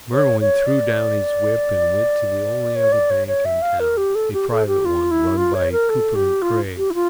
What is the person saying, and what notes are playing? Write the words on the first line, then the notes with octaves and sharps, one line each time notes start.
Merwin threw down his whip and went to the only other bank in town, a private one, run by Cooper & Craig.
C#5
C#5
D5
C#5
D5
C#5
C#5
E5
F5
A#4
G4
A4
G4
A4
G4
F4
E4
F4
C#5
A#4
A4
G4
F4
G4
E4
F4